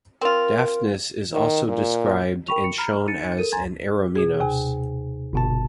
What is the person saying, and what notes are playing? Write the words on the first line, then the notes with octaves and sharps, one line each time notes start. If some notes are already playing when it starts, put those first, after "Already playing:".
Daphnis is also described and shown as an eromenos.
C4 F4 A#4
D#3
A#2
A#4 G5 B5 C#6 F7
C#7
A#5 B5 F6
D#4 A6 C#7 D#7
A4 A#4 D#7
G#5 A#5 C6 G#6 A6
B2 G#4
D#2 C3 G#5
G1 B2 A5